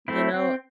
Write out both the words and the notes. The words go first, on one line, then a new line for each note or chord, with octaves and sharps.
You know
A3 C4 E4
C4